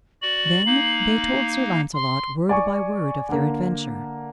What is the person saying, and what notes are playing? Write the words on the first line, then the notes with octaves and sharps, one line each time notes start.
Then they told Sir Launcelot word by word of their adventure.
F#4 D5 F#7
A#3 D#4 F5
C6
D5 G#5 C#6
D3 A#3